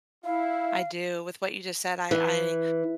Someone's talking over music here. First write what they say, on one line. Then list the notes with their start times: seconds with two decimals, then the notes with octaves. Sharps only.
I do. With what you just said, I
0.25 E4 F5
2.11 E3